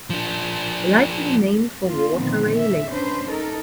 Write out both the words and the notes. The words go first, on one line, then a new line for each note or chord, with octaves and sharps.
Likely named for Walter Raleigh.
F3 D4
A#3 F4
A#2 D3 D#3 F3 B3 C4
E5
C#4 D4 B4 C5
D#4 A4 A#4